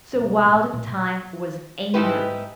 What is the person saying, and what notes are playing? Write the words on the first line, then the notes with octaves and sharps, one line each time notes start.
So Wild Thyme was angry.
D#1 C2
A#2 A3
A#2
G#2 B2 D#4 E4 G4 B4